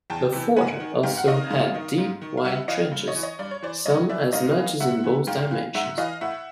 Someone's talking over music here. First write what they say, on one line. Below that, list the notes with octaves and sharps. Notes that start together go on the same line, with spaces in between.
The fort also had deep wide trenches, some as much as in both dimensions.
E2 G5 A5
C3 E3
G#2 F#5 G#5
D#3
G#2 F5 G5
F#5
D#3 D#5 F5
G#2
D#3
G#2
D#3
F5
G2 E5 F#5
E3 D#5 F5
G2
C#5 D#5
E3
C#5 D#5
G2 D5
C#5
E3 C5 D5
G2 C#5 D#5
E3 D5 E5
G#2 D#5 F5
E3
G#2 E5 F#5
E3
G#2 F5 G5
E3
G#2 E5 F#5
E3 D#5 F5
A2 E5 F#5